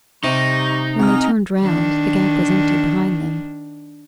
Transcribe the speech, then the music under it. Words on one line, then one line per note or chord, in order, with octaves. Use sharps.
When they turned round The Gap was empty behind them.
C3 G3 D#4 C#6
C4 G#4 D#5 A#5 F6
D#3 D4